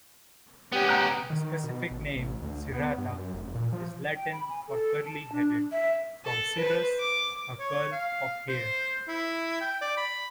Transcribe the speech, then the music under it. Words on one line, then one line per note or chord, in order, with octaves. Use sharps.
The specific name "cirrhata" is Latin for "curly-headed", from "cirrus", a curl of hair.
B3 C#4 G4
G4 F#5 A#5 F#6
D#3
B2
A1
A1
D2
B3
G2
F#2
F1
A#2
F3
G5
B5
G#5
A4
A5
D4
E5
A4
B4 C5
D6
C#5
F5
C5
E4
G5
D5
B5